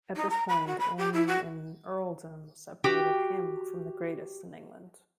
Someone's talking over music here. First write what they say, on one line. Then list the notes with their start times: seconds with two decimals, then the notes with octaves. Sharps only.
At this point only an earldom separated him from the greatest in England.
0.16 D#4
0.30 A#5
0.49 B5
0.67 F#4
0.79 B5
0.98 G4
1.14 E4
1.27 F#4
2.84 F#4 G4 G5